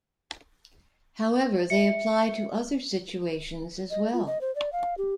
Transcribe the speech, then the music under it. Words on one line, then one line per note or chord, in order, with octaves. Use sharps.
However, they apply to other situations as well.
E5 C#7
D#5
F4
D#5
C5
D5
F5
G4